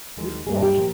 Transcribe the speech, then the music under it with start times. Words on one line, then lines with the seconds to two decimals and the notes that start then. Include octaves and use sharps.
"With what?"
0.17 D#2 D#3 G#3
0.47 G2 G3 A#3 G#4
0.63 G4
0.77 A#2 F3